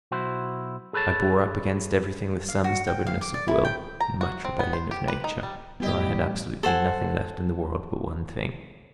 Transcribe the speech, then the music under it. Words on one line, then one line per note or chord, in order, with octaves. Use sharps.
I bore up against everything with some stubbornness of will and much rebellion of nature, till I had absolutely nothing left in the world but one thing.
B1 E4 F#4 C5
G#4 A4 B4 C#5 A5
F5
F#4
G5
F5
D6
D5
E4
G5
A#5
F#4
C4
B3
C5
G4
B4
D#4
G3
A1 F2 G3 B3 E4 G4 D#5
A4 C5 F#5 G#5